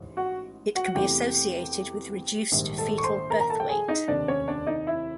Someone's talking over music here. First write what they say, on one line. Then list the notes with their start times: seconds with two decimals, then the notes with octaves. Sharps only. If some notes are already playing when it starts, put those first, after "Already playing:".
It can be associated with reduced fetal birth weight.
Already playing: A1 G#2 E3
0.17 F#4 F#5
0.75 F#4 F#5
0.86 F#5
0.95 E2 C3 E3 A3 G4 G5
2.52 A#1 G#2 D#3 G3
2.78 A4 A5
2.98 C#6
3.04 C5 C6
3.30 A#4 A#5
3.40 A#5
3.50 A4 A5
3.60 G5
3.69 G#4 G#5
3.88 D#4 D#5
4.08 F1 D#2 D#3 D4 D5
4.28 C#4 C#5
4.48 D4 D5
4.67 D#4 D#5
4.87 E4 E5